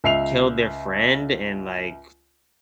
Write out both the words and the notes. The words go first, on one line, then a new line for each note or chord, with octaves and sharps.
killed their friend and, like,
C#2 E5 C7 F7